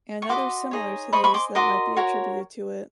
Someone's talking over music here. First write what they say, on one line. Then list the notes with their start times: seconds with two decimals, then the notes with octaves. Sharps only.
An others similar to these that might be attributed to it.
0.22 C#6
0.29 F#4 B4 D#5 C6 D6
0.71 D#4 G#4 C#5
1.13 G#4 C5 D#5 B5 C#6
1.24 B5 C#6
1.34 C6 D6
1.55 F#4 A#4 D#5 C6 D6
1.96 F#4 A#4 C#5